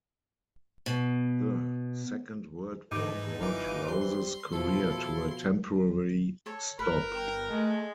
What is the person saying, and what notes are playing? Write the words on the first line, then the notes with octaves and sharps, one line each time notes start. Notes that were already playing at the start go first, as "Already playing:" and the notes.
The Second World War brought Rowse's career to a temporary stop.
B2
G#2 E3 D#4 D#5 D6 G6
G1 E3 E4 F4 F5 D6
G3 C4 C6
B2 F3 E4 F4 A4
A4 C#5
G1 A#4 B4
G5
G#3 A3